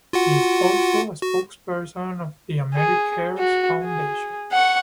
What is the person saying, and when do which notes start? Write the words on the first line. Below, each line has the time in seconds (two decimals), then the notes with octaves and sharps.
He is also a spokesperson of the AmeriCares Foundation.
0.13 F4 F#4 F#5
1.22 F#4
2.74 G#4
3.38 F#4
3.84 G#4
4.52 F#5 C#6